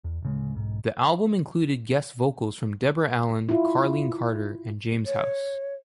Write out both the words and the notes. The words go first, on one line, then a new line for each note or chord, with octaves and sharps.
The album included guest vocals from Deborah Allen, Carlene Carter, and James House.
E2
D1 C#3 G#3
B1 G#2
E4 F4
C#5